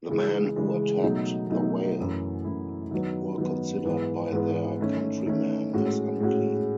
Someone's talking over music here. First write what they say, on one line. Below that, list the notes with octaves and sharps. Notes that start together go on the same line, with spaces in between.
The men who attacked the whale were considered by their countrymen as unclean.
C#3 E3 G#3
C#3 E3 G#3
B2 F#3 A3 D#4
B2 F#3 A3 D#4
F#2 E3 A3 E4
F#2 E3 A3 E4
D#3 F#3 B3
D#3 F#3 B3
G#2 E3 B3
G#2 E3 B3
D#3 A3 C#4
D#3 A3 C#4
A2 G#3 C#4 F#4
A2 G#3 C#4 F#4